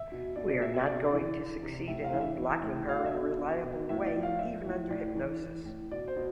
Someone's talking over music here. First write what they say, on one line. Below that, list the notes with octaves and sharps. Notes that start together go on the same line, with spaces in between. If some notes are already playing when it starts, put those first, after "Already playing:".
We are not going to succeed in unblocking her in a reliable way, even under hypnosis.
Already playing: E5
B2
B2 D5
D5
B2 E5
E5
C3 D5
E3
E3
C3
A2 E5
F5
E3
E5
E3
A2
B2 F5
E5
B2
B2
B2
A2 E5
D5
F3
F5
F3 E5
A2
A2 D5
E3
E3
A2
B2 D5
C5
B2